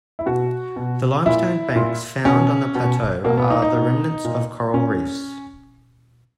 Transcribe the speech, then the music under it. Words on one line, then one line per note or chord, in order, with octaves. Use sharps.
The limestone banks found on the plateau are the remnants of coral reefs.
E4
B2 F#4
B2
A#2 E4
A#2
B2 C#4
B2
B2 A#3
B3
D#4
D#4
B2
A#2
A#2 C#4